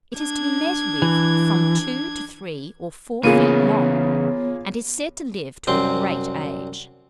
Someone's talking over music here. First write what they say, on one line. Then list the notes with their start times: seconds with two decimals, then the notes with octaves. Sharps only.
It is to be met with from two to three or four feet long, and is said to live to a great age.
0.17 D4 G#6
1.02 E3
3.23 C#3 E3 A#3 B3 F4 G#4 C#5
5.67 C2 F#2 C4 C6